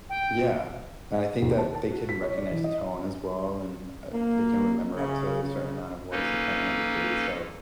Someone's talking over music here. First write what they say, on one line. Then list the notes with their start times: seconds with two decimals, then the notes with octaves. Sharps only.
Yeah, and I think that they can recognize tone as well, and, uh, they can remember up to a certain amount of words depending on the breed, so,
0.09 G5
1.42 D#2
1.58 A5
1.75 A5
1.91 F#4
2.09 B6
2.23 C#5
2.36 D5
2.51 E3
2.64 D#5
4.12 A#3
4.96 C#3
5.42 C#3
6.11 A#3 C#4 D#4 A4 B4